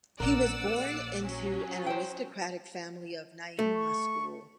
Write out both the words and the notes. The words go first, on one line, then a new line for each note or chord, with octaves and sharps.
He was born into an aristocratic family of Nyingma school.
A#1 A#2 A#4 D5 F#5 E6
F#3 C#4
C5 G5
A3
C#6